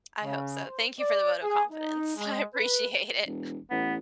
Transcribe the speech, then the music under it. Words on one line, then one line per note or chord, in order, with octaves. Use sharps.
I hope so. Thank you for the vote of confidence. I appreciate it.
C#3
C5
D5
G#4
D#4
G#3
B4
E1
A1 B3